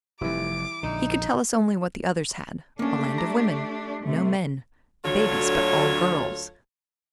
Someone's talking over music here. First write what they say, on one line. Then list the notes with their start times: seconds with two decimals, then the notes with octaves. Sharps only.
He could tell us only what the others had--a land of women--no men--babies, but all girls.
0.21 F1 F2 E3 G3 E4 D6
0.83 A#1 D3 D#4
2.79 A3 A#3 C#4 D4 G4
3.18 A#5
4.02 C3 A3
5.05 D2 D3 F#3 F4 A4 C#5